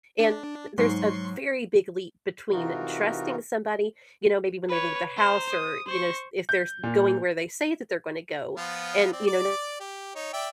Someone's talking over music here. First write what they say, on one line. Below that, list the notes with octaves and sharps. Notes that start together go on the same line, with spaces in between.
and there's a very big leap between trusting somebody, you know, maybe when they leave the house or, you know, s if there's going where they say that they're gonna go, and, you know,
D4
G#2 F#3 C6 C#6 C7
C3 E3 D#4 F4 F#4 A#4
B4 C#5
C5 A#5
D#6
C5 C#6
G6
A#2
F3 B3 F4
C4 D5
D5 D6
G4
D#4 C#5
D5 E5 G5